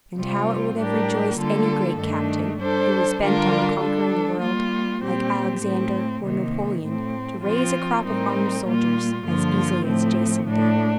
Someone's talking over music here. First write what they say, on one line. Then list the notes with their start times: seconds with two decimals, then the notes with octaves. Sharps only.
And how it would have rejoiced any great captain, who was bent on conquering the world, like Alexander or Napoleon, to raise a crop of armed soldiers as easily as Jason did!
0.17 C3 G3 C4 F4
0.78 A2 G3 D4 G4 A#4
1.38 D3 G3 A#3 F4 A4
1.99 G2 D#3 A3 D4
2.60 G3 D4 A4 C5
3.20 D3 G3 D4 F4 A#4
3.81 G3 D4 A4
4.42 G3 A#3 F4
5.02 A#2 G3 C4 G4
5.63 A2 A3 C4
6.23 C3 D#3 A#3
6.84 A2 A3 C4
7.44 F3 C4 F4
8.05 A2 G3 C4 D#4 A#4
8.66 A#2 G3 A#3 F4
9.26 G2 D3 F3 A#3 F4
9.86 A2 F3 A3 C4
10.48 A2 A3 D4